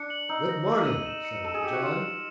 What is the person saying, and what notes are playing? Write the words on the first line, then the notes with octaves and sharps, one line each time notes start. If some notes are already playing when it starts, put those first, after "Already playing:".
"Good morning," said Uncle John.
Already playing: D4 C#7
F#7
D#4 E6
A#6
E6
D#7
E7
C#7
A4 E7
G#4
G4 C#7
F#4
F4 E7
E7